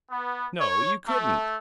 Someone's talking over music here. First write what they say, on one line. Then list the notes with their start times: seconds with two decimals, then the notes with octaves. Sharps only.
"No, you couldn't."
0.10 B3
0.59 C#5
1.07 A3